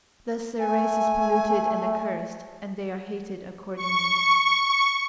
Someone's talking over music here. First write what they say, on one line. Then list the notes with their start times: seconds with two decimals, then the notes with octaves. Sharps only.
Thus their race is polluted and accursed, and they are hated accordingly.
0.59 A3 G#5
3.76 C#6